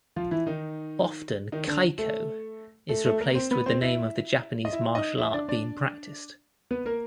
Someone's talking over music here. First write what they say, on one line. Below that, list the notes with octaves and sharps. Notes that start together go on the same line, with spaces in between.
Often "keiko" is replaced with the name of the Japanese martial art being practiced.
F3 F4
E3 E4
D#3 D#4
D#3 D#4
D3 D4
A3 A4
A3 A4
A3 A4
A#3 A#4
C4 C5
B3 B4
C4 C5
E4 E5
D#5
E4 E5
D#4 D#5
E4 E5
D4 D5
D4 D5
B3 B4
A#3 A#4